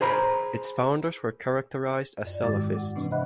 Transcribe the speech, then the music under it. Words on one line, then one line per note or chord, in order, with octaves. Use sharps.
Its founders were characterised as salafists.
G#4 C5 A#5 B5
F#2 D5
G#2 D#3 G#3 E4 D6 A6
F#4
F#5
C3 E3 C4 D4 D6
C5 D#5 E5 F#5 B5 F#6